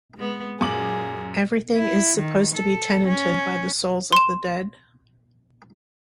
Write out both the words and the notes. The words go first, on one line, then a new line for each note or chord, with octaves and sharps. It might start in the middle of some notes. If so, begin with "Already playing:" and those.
Everything is supposed to be tenanted by the souls of the dead.
G#3 B3
F#2 A#2 G#4 D6 F#7
E4
D#3
A4
C#4
C6 E7